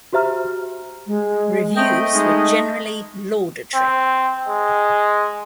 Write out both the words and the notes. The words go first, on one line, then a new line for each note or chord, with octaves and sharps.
Reviews were generally laudatory.
F#4 G4 C5 E5 A#5 F6
G#3
A3 C4 D#5 G5
G#3 D#4
C4
G#3